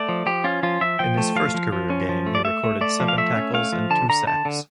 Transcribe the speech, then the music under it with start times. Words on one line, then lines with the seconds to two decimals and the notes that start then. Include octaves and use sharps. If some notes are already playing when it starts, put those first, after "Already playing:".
In his first career game he recorded seven tackles and two sacks.
Already playing: A3 D5
0.09 F3
0.26 F3 G4
0.44 C#4 F4
0.63 F3 F4
0.81 F3 E5
0.99 F3 G5
1.17 A3
1.36 F3 F5
1.54 F3
1.72 F3
1.90 C#4
2.09 F3
2.26 A3
2.35 D5
2.45 A3 E5
2.64 A3
2.81 A3 D5
3.00 F3
3.08 F5
3.18 A3 E5
3.36 C#4
3.54 A3 F5
3.73 F3
3.90 D3 A5
4.09 D3 A#5
4.27 D3 A5
4.45 D3